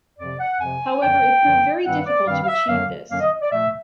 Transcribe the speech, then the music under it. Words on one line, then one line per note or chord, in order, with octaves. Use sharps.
However, it proved very difficult to achieve this.
F2 C3 F3 D5
F#5
F2 C3 F3 G#5
F#2 D3 F3 G5
F#2 D3 F3
G2 D#3 G3 C4 F#5
D5
G2 D#3 G3 C4 F5
F5
E5
F#2 D3 F#3 A#3 C#4 F5
F#2 D3 F#3 A#3 C#4 F5
D#5
D5
A#2 F3 A3 E5